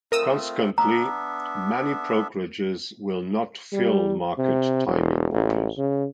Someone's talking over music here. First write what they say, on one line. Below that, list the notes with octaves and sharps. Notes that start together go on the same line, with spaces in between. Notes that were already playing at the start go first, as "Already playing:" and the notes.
Consequently, many brokerages will not fill market-timing orders.
A3 C4 F4 A#4 D#6 E6
B3 D4 E5 A#5
G3
C3
E1
A1
C#3